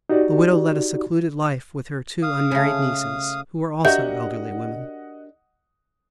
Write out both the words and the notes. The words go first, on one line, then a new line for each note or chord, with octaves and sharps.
The widow led a secluded life with her two unmarried nieces, who were also elderly women.
D#4 F#4 G4 D5
F5 D#6
C#3 A3
D4 F#4 G4 A#4 D#5 E5 F#5 G6